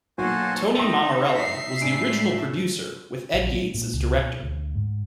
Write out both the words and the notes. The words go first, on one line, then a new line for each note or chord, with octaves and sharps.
Tony Mammarella was the original producer with Ed Yates as director.
B1 A#3 F#4 A4 C5 G#5
D#4 E5 G5 A5 C6
B6 C7
A2 A3 D4 G#5 D7
A#1
F#3
A#2
C#2
B2
D2
G#2